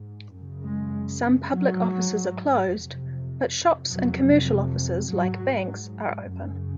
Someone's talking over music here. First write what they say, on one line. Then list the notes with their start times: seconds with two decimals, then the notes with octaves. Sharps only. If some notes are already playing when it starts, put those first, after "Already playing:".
Some public offices are closed, but shops and commercial offices like banks are open.
Already playing: G#2
0.34 F#2 C#3
0.64 G#3
1.53 G#2 F#3
2.72 F2 C3
3.91 F2 C3 F#3
5.09 G#2 F#3
6.29 F#2 C#3